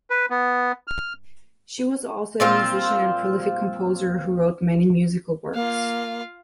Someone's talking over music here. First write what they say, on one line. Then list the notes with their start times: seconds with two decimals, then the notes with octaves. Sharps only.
She was also a musician and prolific composer who wrote many musical works.
0.10 B4
0.30 B3
0.88 F6
2.40 A#2 C4 F4
5.55 A#3 F4 F5